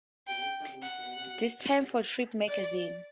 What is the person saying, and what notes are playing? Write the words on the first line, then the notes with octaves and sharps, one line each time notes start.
This time for Trip magazine.
G5
F#5
D5